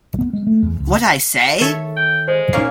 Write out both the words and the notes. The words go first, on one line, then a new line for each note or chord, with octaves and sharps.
What I Say?
B3
G#3
A3
E2
C#2
D#3 A4 C#5 E5
G5
G#3 C5
A#2 A#3 C#4 D#4 C#5 C7